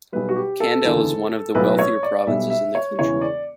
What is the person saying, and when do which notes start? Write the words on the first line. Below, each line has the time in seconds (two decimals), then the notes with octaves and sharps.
Kandal is one of the wealthier provinces in the country.
0.12 B1 B2 G3 B4
0.29 F#4
0.36 G4
0.60 A4
0.84 F#1 E2 D3
1.55 B1 A2 F#3 B4
1.79 C#5
2.03 D5
2.27 B1 B2 G3 E5
2.50 E5
2.75 C#5
2.99 E1 E2 C#3 E3 C#5
3.21 D5